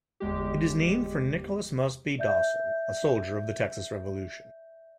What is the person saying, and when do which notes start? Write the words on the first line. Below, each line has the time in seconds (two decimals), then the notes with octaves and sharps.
It is named for Nicholas Mosby Dawson, a soldier of the Texas Revolution.
0.20 G1 E2 G#3 G4
2.19 D5 E5 G6